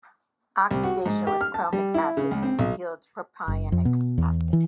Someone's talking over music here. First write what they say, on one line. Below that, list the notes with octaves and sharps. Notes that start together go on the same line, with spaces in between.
Oxidation with chromic acid yields propionic acid.
C2
F#4
G#2
G4
F6
A5
G3
E4
C#3
C#2
C4
B1
F#1
F2
B2
E2
E3